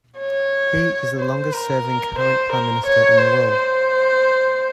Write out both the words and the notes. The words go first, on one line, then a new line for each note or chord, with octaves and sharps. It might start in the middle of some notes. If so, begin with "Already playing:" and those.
He is the longest-serving current prime minister in the world.
C#5
C5
A#4
C5
A#4
C#5
C5
C5